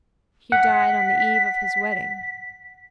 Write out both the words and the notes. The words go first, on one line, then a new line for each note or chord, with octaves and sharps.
He died on the eve of his wedding.
F#5 B6